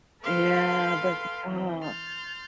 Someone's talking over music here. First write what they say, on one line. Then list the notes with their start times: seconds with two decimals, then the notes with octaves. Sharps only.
Yeah, but, aw
0.22 A4 B4 F5 G5 C6
1.48 E3 C4
1.81 C6 F6 G6 A6